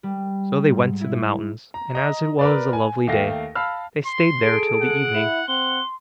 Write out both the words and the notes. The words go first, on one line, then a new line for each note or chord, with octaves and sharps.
So they went to the mountains; and as it was a lovely day, they stayed there till the evening.
G3
G#2
E4
A#5
D#5 A#5
A#4 B4 D5
G#5
D#2 A3 F5 G5 A#6
F5 A5 B5 E6 F6
C6
G#4 A4 D7
F#5
E4
C4 F#5 C6 G7